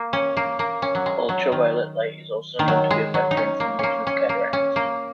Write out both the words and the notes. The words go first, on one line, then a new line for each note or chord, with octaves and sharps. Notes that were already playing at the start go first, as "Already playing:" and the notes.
Ultraviolet light is also known to be a factor in formation of cataracts.
Already playing: A#3
C#4
A#3
A#3
C#4
F#3
G#3
F#3
D#3
D#3
F#3
G#3
F#3
D#4
C#4
A#3
A#3 C#4
C#4
A#3
C#4
A#3